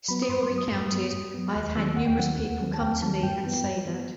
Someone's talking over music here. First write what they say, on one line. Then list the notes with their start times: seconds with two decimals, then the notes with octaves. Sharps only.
Steele recounted, I have had numerous people come to me and say that.
0.08 F#3 B3 B5
0.22 D#6
0.29 G2 C6
0.43 C6
0.51 F#3 B3
0.58 D#6
0.72 G2
0.92 F#3 B3
1.13 G2
1.34 F#3 B3
1.56 D#2 F#6
1.75 D#3 F#3 C4 E6
1.96 D#2 F#5
2.07 G5
2.18 D#3 F#3 C4 F#5
2.38 D#2
2.59 D#3 F#3 C4
2.74 A5
2.80 D#2 G5
3.01 D#3 F#3 C4 A5
3.23 G2 G5
3.44 E3 B3
3.64 G2
3.85 E3 B3